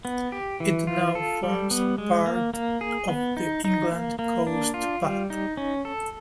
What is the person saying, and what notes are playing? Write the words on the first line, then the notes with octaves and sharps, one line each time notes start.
It now forms part of the England Coast Path.
B3
G4
E3
F4
A4
G3
B3
G#3
A#3
A#3
G#4
B3
D#4
D#4
A#3
A#3
D4
F4
G3
D#4
C#4
A4